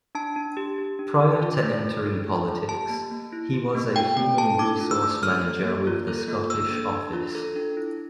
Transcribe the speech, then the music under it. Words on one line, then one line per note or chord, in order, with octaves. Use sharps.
Prior to entering politics, he was a human resource manager with the Scottish Office.
D4 A5
D4
G4
G4
D4
D4
F4
A3
A3
D4
F4
A3
G4 A5
A#3
A#3
E4
G4
A#3
F4 G5
A3 G5
A4 A5
D4 D6
F4
E6
A3
A4 F6
A#3
A#3
F4
A4
A#3
A4 E6
D4
D4
F4
A4
D4
E4